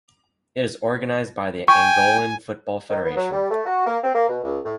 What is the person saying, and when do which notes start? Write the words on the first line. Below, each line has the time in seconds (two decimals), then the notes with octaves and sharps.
It is organized by the Angolan Football Federation.
1.68 G5 G#5 C#6
2.90 D#3
3.04 B3
3.16 F#3
3.32 G3
3.50 A3
3.66 F#4
3.87 A#3
4.03 C4
4.15 A#3
4.28 B2
4.44 C#2
4.65 A2